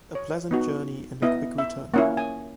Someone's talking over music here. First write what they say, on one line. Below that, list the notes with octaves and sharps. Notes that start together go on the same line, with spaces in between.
A pleasant journey and a quick return.
C#5
B3 D#4 F#4
B3 E4 D#5
E5
A#3 C#4 E4 F#5
G#5